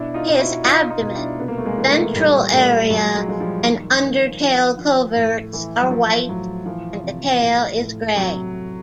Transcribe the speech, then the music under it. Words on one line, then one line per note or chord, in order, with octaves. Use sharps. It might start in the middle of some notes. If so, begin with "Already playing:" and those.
His abdomen, ventral area and undertail coverts are white and the tail is grey.
Already playing: B2 D4 E4
D#4 F4
B2
E4 F#4
B2 D#4 F4
D#4 F4
B2
F4
D4 E4
C3 B3
A#3
A3
G#3 A#3
E3 B3
A#3
A3 B3
A#2 G3 A3
A#2 G3 A3
A#2 F#3 G#3
F#3 G#3
F3 G#3
F3 G3
D#3
D#3
F3
F3
A2
E3
F#3
E3 F3
A2 F#3
E3 F3
C3
A2
A2
C3 F#3